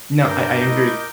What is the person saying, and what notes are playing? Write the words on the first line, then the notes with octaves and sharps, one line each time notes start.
No, I I am very
G2 A#4 D6 G6
G#3 D4 E4 D#5